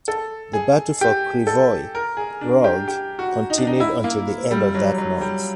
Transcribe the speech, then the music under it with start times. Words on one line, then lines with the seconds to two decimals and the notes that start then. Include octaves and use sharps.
The battle for Krivoi Rog continued until the end of that month.
0.08 A4
0.53 G#4
1.01 G4
1.47 A4
1.95 A#4
2.17 G#4
2.41 D4
2.64 G4
2.88 G4
3.19 F#4
3.50 D#4
3.58 D4
3.67 D#4
3.80 E4
4.04 A#3
4.51 G3
4.75 F#3
4.98 F#3
5.21 G3